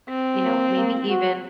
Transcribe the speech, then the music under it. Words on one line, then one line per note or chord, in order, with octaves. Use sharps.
you know, maybe even
C4
A#3
A#3
F#4